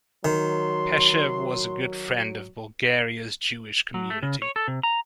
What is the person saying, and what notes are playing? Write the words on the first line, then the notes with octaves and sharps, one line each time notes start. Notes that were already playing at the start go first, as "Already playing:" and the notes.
Peshev was a good friend of Bulgaria's Jewish community.
D#3 F#3 C6
F#3
A3
C#3
C#5
A4
C3
A#5